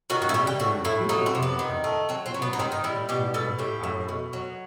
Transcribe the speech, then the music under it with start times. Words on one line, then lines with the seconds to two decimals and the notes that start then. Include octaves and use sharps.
The mountain in the Biblical account is identified with Mount Ararat.
0.10 D#3 F#4
0.22 F#4
0.29 E4
0.34 G3 F#4
0.47 G4
0.60 A2 F#4
0.85 A2 E4
1.09 F#3 D#4
1.26 C4
1.35 C3
1.42 B3
1.59 D#3
1.84 A3
2.09 F#3 C4
2.26 C4
2.34 F#3
2.42 B3
2.53 D#4
2.59 D#3 C4
2.72 D#4
2.84 G3 E4
3.09 B2 G4
3.34 B2 A4
3.59 A2 G4
3.83 A2
4.09 B2
4.33 F#3